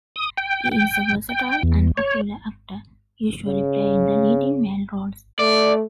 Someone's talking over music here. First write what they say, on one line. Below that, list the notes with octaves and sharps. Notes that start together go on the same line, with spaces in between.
He is a versatile and popular actor, usually playing the leading male roles.
D#6
G5
G5
G5
E2
C#5
C#3
A3 D5